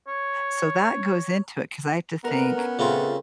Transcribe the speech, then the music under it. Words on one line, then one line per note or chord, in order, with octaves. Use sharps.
So, that goes into it, 'cause I have to think,
C#5
D2 B3 A#4 B4 A#5
C#4
C#3 A3 C4 F4